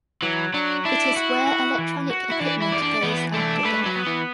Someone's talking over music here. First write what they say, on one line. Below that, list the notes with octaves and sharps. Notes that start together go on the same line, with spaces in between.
It is where electronic equipment goes after death.
E3 F#3
F#3 D4
D4 E4
F#4
F#4
E3
F#4
E4
E3 D4
E4
D5
D4
E3 B3
A3 D4
A3 B4
F#3
B3
E3